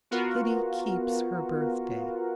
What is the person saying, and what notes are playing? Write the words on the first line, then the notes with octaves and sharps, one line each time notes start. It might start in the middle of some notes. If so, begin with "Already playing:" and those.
Kitty Keeps Her Birthday.
B3 F4 F#4 A#4